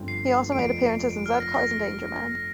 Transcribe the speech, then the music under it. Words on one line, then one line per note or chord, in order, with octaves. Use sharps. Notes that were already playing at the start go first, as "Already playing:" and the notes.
He also made appearances in "Z-Cars" and "Danger Man".
Already playing: G1 G2 F3 C4
C7
F1 F2 F3 D7
D7
F6
A#6
A#6